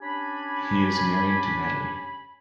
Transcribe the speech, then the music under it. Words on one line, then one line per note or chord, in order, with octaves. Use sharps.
He is married to Natalie.
C#4 D4 G4 G#5 B5